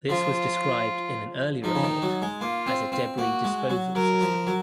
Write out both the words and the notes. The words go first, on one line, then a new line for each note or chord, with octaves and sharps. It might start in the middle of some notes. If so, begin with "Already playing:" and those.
This was described in an earlier report as a "debris disposal system".
F3 F4
F3 D#4
C#3
D#3
F#3
G#3
A#3 F4
C4
C4
A#3 F#4
G#3
F#3
F#3 A#4
F3
F#3